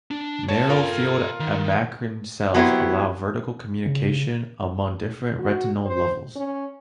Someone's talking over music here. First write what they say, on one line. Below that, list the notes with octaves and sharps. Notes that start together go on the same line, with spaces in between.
Narrow field amacrine cells allow vertical communication among different retinal levels.
D4
B1 C#5 A5
F4 A4 A#4 F5 G5
D#3
F#3 B3 E4 G4 C5
C#3
F#4
C5
C#4